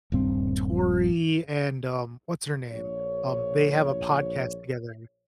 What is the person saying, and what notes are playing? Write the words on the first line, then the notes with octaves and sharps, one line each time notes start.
Tori, and, um, what's her name? Um, they have a podcast together.
D#1 G2 C4
A#1 C#5